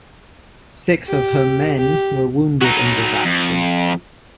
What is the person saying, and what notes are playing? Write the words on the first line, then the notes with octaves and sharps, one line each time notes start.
Six of her men were wounded in this action.
G4
G4
F#3 D#4
F2